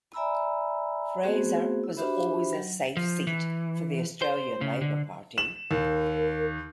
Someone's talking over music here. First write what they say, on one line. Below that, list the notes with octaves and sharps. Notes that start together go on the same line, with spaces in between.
Fraser was always a safe seat for the Australian Labor Party.
D5 E5 G#5 A#5 B5 E6
A3 B3 C4 F#4 G#4 C5
E4
D4 F#4 G4 C5 E5 B5
F#3
F3
E3
C5
C#3
D3
E7 F#7
D#2 A#4